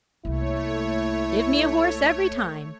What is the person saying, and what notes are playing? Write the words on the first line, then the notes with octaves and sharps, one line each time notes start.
Give me a horse every time.
C2 A3 A#3 E4 C#5